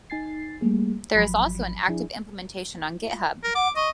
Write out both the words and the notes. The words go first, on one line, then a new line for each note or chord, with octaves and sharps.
There is also an active implementation on Github.
D#4 G#5 A6 C7
G3 A3 A#3 G#4
G#1 F3 F#3 B5
F3 D4 E4 G#4
A#4
F#5 D6
D#5 C#6